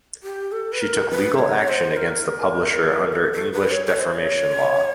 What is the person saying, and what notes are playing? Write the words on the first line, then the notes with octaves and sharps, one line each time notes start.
She took legal action against the publisher under English defamation law.
G4
A4
B4
A#4
B4
C5
C#5
C5
A#4
A4
A4
B4
C#5
C#5
C5
C#5